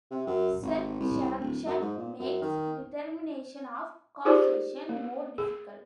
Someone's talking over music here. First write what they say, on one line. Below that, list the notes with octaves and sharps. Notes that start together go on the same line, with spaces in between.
Self-selection makes determination of causation more difficult.
C3
F#2
G#1
C2
D1
F#2
G#2
A#2
F#2
D#3
D#4 F4 G4 G#4 C5 D5
A#3
G#4